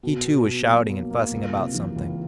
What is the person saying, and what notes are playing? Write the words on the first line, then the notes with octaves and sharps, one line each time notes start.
He, too, was shouting and fussing about something.
B2
B2
B2
F#3
A#3
A#3
C#2
C3
E3
C#2